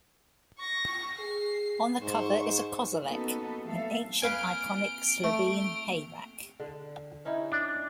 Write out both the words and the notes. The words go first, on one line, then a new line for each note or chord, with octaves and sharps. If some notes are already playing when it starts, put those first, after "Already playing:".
On the cover is a kozolec, an ancient iconic Slovene hayrack.
C#6 A#6
G#4 C7
G#2 C5 C#6
A#3 B3 C#4 D#4 F#4 A4
E3 F#3 A3 A4 E5 F5
A#3 C4 B4 F5 G#5 D7
A3
D3
C#4 D#4 E4
D4